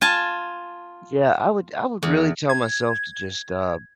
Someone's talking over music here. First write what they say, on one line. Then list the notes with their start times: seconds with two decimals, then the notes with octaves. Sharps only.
Yeah. I would I would really tell myself to just, uh
0.01 F4 G#5 A5
2.03 E2
2.49 G#6